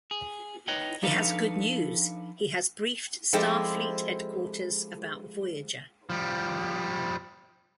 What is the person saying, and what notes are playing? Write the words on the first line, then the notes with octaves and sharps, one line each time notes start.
He has good news, he has briefed Starfleet Headquarters about "Voyager".
G#4
D#4 B4 C#5 D#5 G5
F3 D4 D#4 A4 B4 F5
F3 G#3 C4 E4 G4 A4
F3 G3